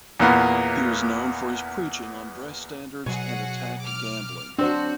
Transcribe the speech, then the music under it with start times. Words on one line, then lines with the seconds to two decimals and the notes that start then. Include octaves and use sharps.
He was known for his preaching on dress standards and attacked gambling.
0.20 E2 A#2 A#3 B3
3.06 B2 F#3 F#4 G#4 C#5 F#5
3.82 D6 F6
4.59 F#3 C4 D4 F#4 C5